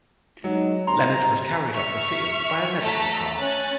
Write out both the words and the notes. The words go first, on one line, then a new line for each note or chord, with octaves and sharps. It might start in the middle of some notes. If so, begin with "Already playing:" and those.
Leonhard was carried off the field by a medical cart.
F#3 G#3 D#4
G1 C4 G4 A#5 C6
E5 C#6 F6
A3 F#4 A4 A5 A#5 B6
C#4 F#6 A6